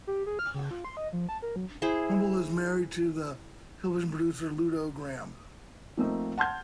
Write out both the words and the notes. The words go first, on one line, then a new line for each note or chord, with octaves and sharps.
Humble is married to the television producer Ludo Graham.
G4
G#4
F6
C#3
F4
C6
D#5
F3
A5
A#4
F#3
E4 G#4 C5
F3 A3 A#3 C4 D#4
F#5 A5 C6 F6 G6 G#6